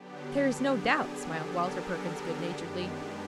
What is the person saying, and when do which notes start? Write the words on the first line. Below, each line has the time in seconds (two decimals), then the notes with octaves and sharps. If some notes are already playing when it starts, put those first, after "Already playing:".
"There is no doubt," smiled Walter Perkins good-naturedly.
Already playing: D3 F#3 B3 D4 G4
0.55 G#4
1.19 A4
1.51 A#4
1.83 A#4
2.15 A4
2.46 F#2 D#3 G#3 B3 D4 G4